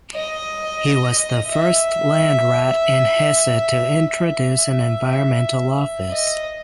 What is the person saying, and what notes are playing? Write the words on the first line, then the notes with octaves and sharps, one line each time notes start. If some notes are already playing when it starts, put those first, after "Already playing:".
He was the first Landrat in Hesse to introduce an environmental office.
D#5
E5
E5
D#5